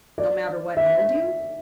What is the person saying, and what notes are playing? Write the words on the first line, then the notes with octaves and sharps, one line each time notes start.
"No matter what ailed you?"
D5
E5